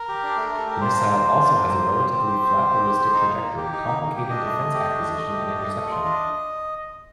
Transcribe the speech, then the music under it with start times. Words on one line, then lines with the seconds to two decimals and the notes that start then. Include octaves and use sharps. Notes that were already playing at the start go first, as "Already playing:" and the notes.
The missile also has a relatively flat ballistic trajectory, complicating defense acquisition and interception.
Already playing: A#4
0.09 G4
0.23 D4
0.37 A3
0.52 A3
0.66 G4 A#4
0.81 D4 C5
0.96 A#3
1.10 A#3
1.24 F4
1.40 D4
1.54 A#3
1.68 A#3
1.83 F4
1.98 G4
2.12 C4
2.27 G4
2.41 C4
2.56 G4
2.70 C4
2.85 G4
2.99 C4
3.13 D#4
3.29 A#3
3.42 A#3
3.57 G4
3.72 D#4
3.87 A#3
4.01 A#3
4.16 G4
4.30 D4 D#5
4.45 A3
4.59 A3
4.74 G4
4.88 D4
5.03 A3
5.17 A3
5.32 G4
5.47 D4
5.61 A3
5.76 A3
5.91 F4
6.05 D4